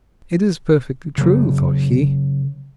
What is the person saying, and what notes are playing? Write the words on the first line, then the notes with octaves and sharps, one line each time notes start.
"It is perfectly true," thought he.
C#3 F#3